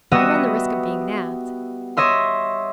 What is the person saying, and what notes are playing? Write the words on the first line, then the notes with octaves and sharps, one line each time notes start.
I run the risk of being nabbed.
G3 B3 F#4 D#5 E5
C#5 D#5 E5 C6